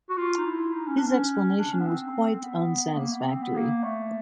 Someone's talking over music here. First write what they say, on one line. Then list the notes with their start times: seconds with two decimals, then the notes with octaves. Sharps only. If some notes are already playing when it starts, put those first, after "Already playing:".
His explanation was quite unsatisfactory.
0.09 F#4
0.17 F4
0.37 D#4
0.45 E4
0.73 D#4
0.87 C#4
0.97 D4
1.07 C#4
1.58 D4
1.72 C#4
1.79 B3
1.86 C4
2.32 C4
2.42 B3
2.95 A3
2.99 A#3
3.13 B3
3.27 C4
3.42 B3
3.55 A#3
3.83 A3